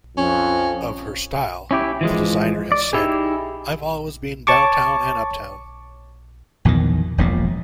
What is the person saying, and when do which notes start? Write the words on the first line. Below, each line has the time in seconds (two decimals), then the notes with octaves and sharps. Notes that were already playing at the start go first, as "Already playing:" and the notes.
Of her style, the designer has said: I've always been downtown and uptown.
0.17 F2 C#4
1.71 C#4 E4 G4
2.01 E3 F3 G#3
2.72 D5
2.93 D#4 E4 G4 G#4
4.47 C#5 A5 C#6 D6
6.65 A#1 E2 B2 D#3
7.18 E1 A#1 A#2